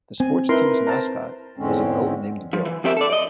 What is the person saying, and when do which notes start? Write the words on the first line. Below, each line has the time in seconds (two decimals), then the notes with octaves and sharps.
The sports teams' mascot is a goat named Bill.
0.20 C4 G#5
0.49 D#4 E4 A#4 B4 C6
0.87 C5 A5 A#5
1.58 E2 G#2 D3 G#3 C4 C#4
2.53 F3
2.65 E3
2.84 F3 C4 G4 A#4 E5
2.97 A4 D5
3.10 D5 D#5